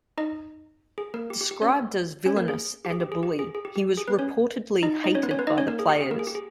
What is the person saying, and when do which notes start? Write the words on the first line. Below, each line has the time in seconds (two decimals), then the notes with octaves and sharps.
Described as "villainous" and a "bully", he was reportedly hated by the players.
0.18 D#4 D#5
0.98 G#4
1.14 A#3 A#4
1.30 G4
1.41 G4
1.51 G4
1.62 C#4 C#5
2.26 C#4 C#5
2.37 A#3 A#4
2.48 G#4
2.85 G4
2.90 G#4
3.01 G4
3.12 G#4
3.23 G4
3.39 G#4
3.55 G#4
3.65 G4
3.76 G4
3.97 G#4
4.08 B3 B4
4.19 C#4 C#5
4.83 D#4 D#5
5.04 D#4 D#5
5.15 C#4 C#5
5.23 B3 B4
5.31 C#4 C#5
5.39 B3 B4
5.47 D#4 D#5
5.58 C#4 C#5
5.68 A#3 A#4
5.79 G#4
5.89 G4
6.01 G#4
6.11 A#3 A#4
6.19 G#4
6.27 G4
6.35 G#4